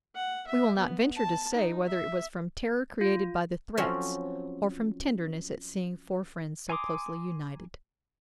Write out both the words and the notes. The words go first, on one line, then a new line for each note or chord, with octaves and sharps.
We will not venture to say whether it was from terror created by the threats or from tenderness at seeing four friends so closely united.
F#5
E5
B3
A5
D#4
E5
F4
F3 F#3 C4 C#4
G#5 A#5 C6 D6 D#6